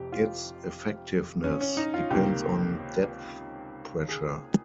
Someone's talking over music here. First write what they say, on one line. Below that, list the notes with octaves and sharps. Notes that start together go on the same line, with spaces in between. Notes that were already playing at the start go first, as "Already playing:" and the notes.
Its effectiveness depends on depth pressure.
Already playing: F1 F2 C3 G4
F4
C#4
C#4
D#4
F4
C#2 C3 D#3 A#3 G4
G#4